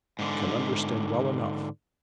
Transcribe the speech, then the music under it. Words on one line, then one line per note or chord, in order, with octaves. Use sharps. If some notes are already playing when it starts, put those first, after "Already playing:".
I can understand well enough.
G#2 D3